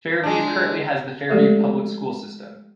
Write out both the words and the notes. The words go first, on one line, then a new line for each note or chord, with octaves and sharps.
Fairview currently has the Fairview Public School system.
G#3 D4
F3 G#3 A3 G4 A4 E5